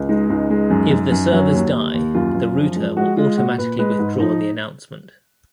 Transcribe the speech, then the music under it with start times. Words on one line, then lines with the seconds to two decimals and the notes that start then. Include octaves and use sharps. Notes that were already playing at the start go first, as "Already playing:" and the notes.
If the servers die, the router will automatically withdraw the announcement.
Already playing: C#2
0.09 G#3 D#4
0.30 C#2 D#4
0.50 G#3
0.70 F#2
0.91 F#2
1.12 F#2
1.33 F#3
1.53 D#2
1.73 D#2
1.94 D#2
2.15 F#2 F4
2.35 F#2
2.56 F3
2.76 G#3
2.96 G#3 F#4
3.17 G#3 F4
3.37 A#2 F#4
3.58 A#2 B4
3.79 G#3 B4
3.99 G#2
4.20 F3 D#4